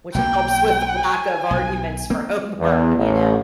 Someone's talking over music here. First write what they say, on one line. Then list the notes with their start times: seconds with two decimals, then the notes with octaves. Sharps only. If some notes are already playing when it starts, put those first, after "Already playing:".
which helps with the lack of arguments for homework, you know.
0.14 B1 F#3 A#3 G5
1.08 G#5
1.51 B1
2.10 A#3 C4
2.59 E2
2.97 A1